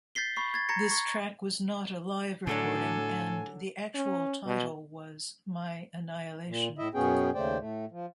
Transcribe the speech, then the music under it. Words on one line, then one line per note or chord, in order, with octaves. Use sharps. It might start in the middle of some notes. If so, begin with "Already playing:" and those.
This track was not a live recording, and the actual title was My Annihilation.
G6 A6 B6 C7 G7
B5 C#6 C7
G#6 A6
A#5 G#6 A#6 C#7
C#6
A2 D3 F#3 D4 A4 G#5
C#4
B2
A#2
A2 E4 D#5 E5
F#2 B2 B3 C#4 G#4 G5
D#2 C#3 A3 C5 D5 G5
A2 A3
F3